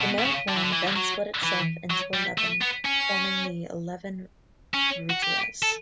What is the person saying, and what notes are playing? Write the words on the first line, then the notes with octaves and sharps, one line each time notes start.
The male form then split itself into eleven, forming the eleven Rudras.
B2
B2
C#3
D3
E3
D3
E3
F#3
E3
F#3
G3
A3
B3
C#4
C#4
F#4
G4
A4